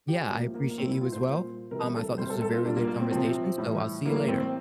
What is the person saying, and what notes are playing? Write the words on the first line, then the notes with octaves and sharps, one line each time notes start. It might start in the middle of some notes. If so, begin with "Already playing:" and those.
Yeah, I appreciate you as well, um, I thought this was a very good conversation, so I'll see you later.
G4
A2 F3 A#3
A#3
A#3
C3 G3 C4
E4
F4
C5
A#2 G3
C3 E3 G3 A#4
A4
C3 G3 C5
A4
A4
F4
A#2 G3 D4
A#3
A#3
C4
C3 F3 C4
A2 E3 G3
A2 E3 G3 A#3
A#3
C4
C4